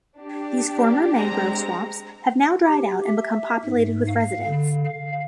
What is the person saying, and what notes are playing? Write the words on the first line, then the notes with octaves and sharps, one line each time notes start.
These former mangrove swamps have now dried out and become populated with residents.
D4 G4
G#3 C4 A#5
G4
E5
G#2
F5
D3
F5